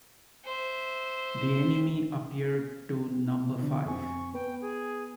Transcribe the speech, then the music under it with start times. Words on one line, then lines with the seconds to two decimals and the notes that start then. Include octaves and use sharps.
The enemy appeared to number five.
0.45 C5 E5
3.63 D3 D4
3.85 F2 C4 G#5 C#6
4.34 B3 B4 G5
4.61 G#4